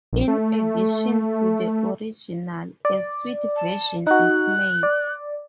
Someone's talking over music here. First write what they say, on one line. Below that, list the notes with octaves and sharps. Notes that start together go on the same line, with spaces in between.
In addition to the original, a sweet version is made.
A#1
A3
D5
A5
D#4 F#4 F#6
D5